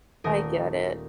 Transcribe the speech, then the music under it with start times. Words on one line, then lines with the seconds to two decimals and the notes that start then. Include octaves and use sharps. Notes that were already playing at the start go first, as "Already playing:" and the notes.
I get it.
0.24 D#1 A3 A#4 D#6